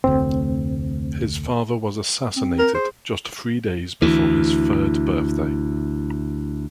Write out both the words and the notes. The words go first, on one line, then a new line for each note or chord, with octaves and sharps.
His father was assassinated, just three days before his third birthday.
F1 D2 C4
C4
A#4
G#4 C5
D2 E3